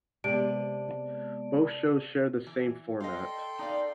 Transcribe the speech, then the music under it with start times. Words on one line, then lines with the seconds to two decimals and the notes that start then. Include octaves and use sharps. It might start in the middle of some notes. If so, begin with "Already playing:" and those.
Both shows shared the same format.
0.24 C3 G#3 B3 D5 A5 D7
2.47 E3
3.00 A4 D#5 F5 G5 C6
3.59 D#4 D5 F5